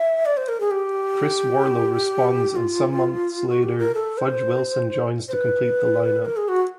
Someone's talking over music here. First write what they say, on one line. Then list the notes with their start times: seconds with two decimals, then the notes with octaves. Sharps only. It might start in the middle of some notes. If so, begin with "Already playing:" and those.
Chris Warlow responds and some months later Fudge Wilson joins to complete the line-up.
Already playing: E5
0.26 D5
0.37 C5
0.48 A#4
0.60 G#4
0.71 G4
2.56 F4
3.48 F#4
3.63 G4
3.79 A#4
3.95 A4
4.18 C5
5.28 C5
5.33 B4
6.25 A#4
6.37 G#4
6.48 F#4